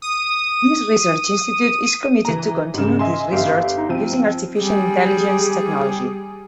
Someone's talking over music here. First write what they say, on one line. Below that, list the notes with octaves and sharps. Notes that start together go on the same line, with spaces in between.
This research institute is committed to continuing this research using Artificial intelligence technology.
D#6 D#7
E3 A#5
G#1 C#3
D#5 E5 G#5 C6
G1 G4 E5 F5
D#4
F3 C4 D#7
G3 G#4